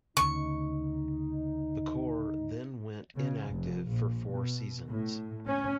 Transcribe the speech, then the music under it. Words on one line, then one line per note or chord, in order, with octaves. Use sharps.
The corps then went inactive for four seasons.
D2 C#3 D#4 C#6
C#3
F1
A#1
B2
A2
C#4